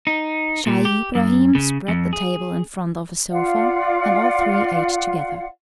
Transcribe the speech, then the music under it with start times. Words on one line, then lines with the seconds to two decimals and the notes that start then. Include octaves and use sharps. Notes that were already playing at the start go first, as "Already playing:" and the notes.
Scheih Ibrahim spread the table in front of a sofa, and all three ate together.
0.07 D#4
0.67 A#2
0.85 G4
1.15 F#2
1.55 C#3
1.88 F2
2.13 G#4
3.29 F4 D5 F5 F#5